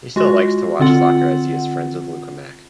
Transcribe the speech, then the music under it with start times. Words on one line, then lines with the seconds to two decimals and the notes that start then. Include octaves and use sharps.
He still likes to watch soccer as he is friends with Luca Mack.
0.16 G#3 F4 F#4
0.80 D3 C4 F4 F#5